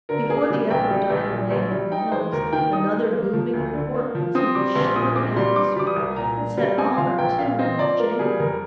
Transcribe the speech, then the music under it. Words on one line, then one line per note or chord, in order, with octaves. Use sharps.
Before the echo died away among the hills another booming report would seem to shiver the atmosphere and set all our tinware jangling.
D3 A#4
A#3 G#4
G3
A#1 G5
G3
A#1
A#2
A#1
G3
D#4 G5
G#3 C5
D#2 A#4
D#3 G5
D#4 D#6
G#3
A#3
F3
D2
D3
A#3
F3
C4 D#6
G3 D6
A#1 C6
A#2 D#6
C4 D6
G3 C6
D4 D6
G3 D6
D#6
C2
A#2 A#5
D4
G3
C4 G#5
F3 F5
A#1 G5
A#2 F5
C4 D#5
F3 D5
A#3 A#4
G3 G#4
F2 A#4